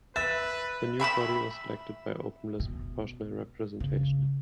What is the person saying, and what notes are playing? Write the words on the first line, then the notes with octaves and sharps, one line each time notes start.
The new body was elected by open list proportional representation.
B4 E5 A6
E5 B5 D6 E6
B2
C#3